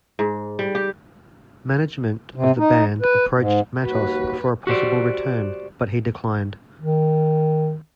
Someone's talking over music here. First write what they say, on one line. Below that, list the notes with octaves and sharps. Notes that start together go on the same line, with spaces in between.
Management of the band approached Matos for a possible return, but he declined.
G#2
G3
G4
C3
D#4
B4
G#2
D#2 F#4 B4
F#4 G4 C5 D5
D#3